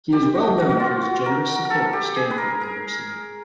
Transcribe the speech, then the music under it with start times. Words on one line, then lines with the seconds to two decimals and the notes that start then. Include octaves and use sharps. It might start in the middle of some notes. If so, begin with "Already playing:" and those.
He is well known for his generous support of Stanford University.
0.13 G4
0.35 F#4
0.58 F#4
0.70 F#4
0.80 F4
1.03 F#4
1.26 A#4
1.48 A#4
1.65 A#4
1.70 A4
1.93 G4
2.16 G#4
2.31 B4
2.38 A#4
2.61 A#4